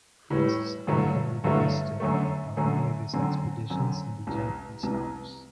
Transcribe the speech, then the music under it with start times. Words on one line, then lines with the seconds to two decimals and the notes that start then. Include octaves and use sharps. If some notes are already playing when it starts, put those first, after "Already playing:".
Frances accompanied Weston on many of his expeditions in the Japanese Alps.
0.30 A2 E3 G3
0.87 G2 D3 F#3 A3 E4
1.44 G2 D3 F#3 A3 E4
2.00 F#2 D3 F#3 A3
2.57 F#2 D3 F#3 A3
3.13 F#2 D3 F#3 C4
3.70 F#2 D3 F#3 C4
4.27 C2 C3 E3
4.83 C2 C3 E3